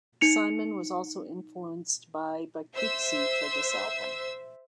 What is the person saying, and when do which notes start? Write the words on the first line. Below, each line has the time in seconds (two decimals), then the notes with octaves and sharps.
Simon was also influenced by bikutsi for this album.
0.21 D#4 C#7 F7
2.74 C5 E5 E6